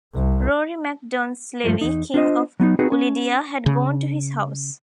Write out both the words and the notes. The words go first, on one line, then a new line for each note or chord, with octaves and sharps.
Rory Mac Donslevy, King of Ulidia, had gone to his house.
C2
G2 F3 A3 A#3
E2 D#4
D4 F4 C5 D#5
F#3 B3 C#4 D#4
B3 C4 D#4 F#4 G#4 B4
C#4
C#3